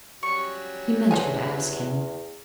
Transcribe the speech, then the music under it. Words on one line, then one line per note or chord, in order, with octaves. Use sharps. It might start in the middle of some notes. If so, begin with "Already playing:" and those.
He meant her to ask him.
F#3 G3 C#4 C#6
E2 C5 C#5 G#5